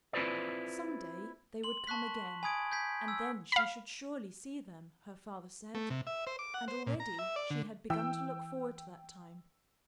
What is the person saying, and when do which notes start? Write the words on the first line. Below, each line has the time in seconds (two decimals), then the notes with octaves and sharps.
Some day they would come again and then she should surely see them, her father said; and already she had begun to look forward to that time.
0.13 C4 E4 F4 B4 C5 D5
1.64 C6 F#7
1.87 A5 C#6 F#6 B6
2.43 G#5 B5 D#6 G#6 D7
2.72 G6 G#6 B6
3.08 E6
3.52 F5 B5
5.75 A3
5.90 C3
6.07 E5
6.27 C5
6.39 D6
6.54 F#5
6.68 C5
6.87 A#2
7.00 A#5
7.19 E5
7.36 D5
7.50 D3
7.90 E3 G5 E6